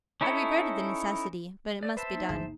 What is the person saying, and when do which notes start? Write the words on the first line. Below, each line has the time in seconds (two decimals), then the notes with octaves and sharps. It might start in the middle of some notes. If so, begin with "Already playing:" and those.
I regretted the necessity, but it must be done.
0.21 C#4 D#4 E4 A4 C#5
1.83 D5
1.97 B4 C5 E5 A5
2.13 A#3 D#4
2.29 G#1 D2 G#4